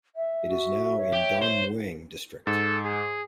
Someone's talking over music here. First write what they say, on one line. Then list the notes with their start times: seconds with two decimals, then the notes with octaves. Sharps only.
It is now in Don Mueang District.
0.15 E5
0.48 F#4
0.98 C#5
1.13 G4
1.42 C5
2.47 G#2 A4
2.85 G#4